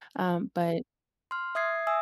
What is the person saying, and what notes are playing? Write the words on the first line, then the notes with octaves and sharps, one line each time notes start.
Um, but,
C6 F6
E5 D#6 G#6 C7
E5 G#5 D#6 E6